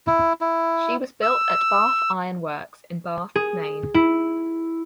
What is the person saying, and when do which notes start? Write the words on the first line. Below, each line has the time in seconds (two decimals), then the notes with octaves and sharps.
She was built at Bath Iron Works in Bath, Maine.
0.07 E4
0.41 E4
1.23 E6
3.35 G#4
3.94 E4